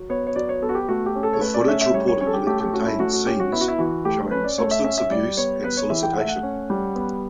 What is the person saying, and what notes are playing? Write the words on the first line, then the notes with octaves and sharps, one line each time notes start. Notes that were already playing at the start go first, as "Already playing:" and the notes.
The footage reportedly contained scenes showing substance abuse and solicitation.
Already playing: F#3
B3 C#5
C#5
F#3 D5
C#5
B3 A4
F#4
G4
A3 F#4
G4
C#4
A4
C#5
A3 B4
D5
C#4 E5
E5
G3 C#5
C#5
C#4 C#5
A4
G4
A3 G4
G4
C#4 F#4
E4
A3 F#4
F#4
C#4 G4
F#4
B3 E4
F#4
E4
E3 F#4
A3 G4
C#4 B4
D5
A3 C#5
E5
C#4 E5
E5
G3 D5
B3 C#5
B3 B4
C#5
E3 E5
G5
F#5
A3 E5
F#5
C#4
G3
B3